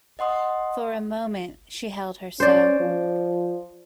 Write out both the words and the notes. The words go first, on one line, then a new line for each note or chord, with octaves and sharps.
For a moment she held her so.
D#5 F#5 C6 D#6
C#4 C5 D5
F3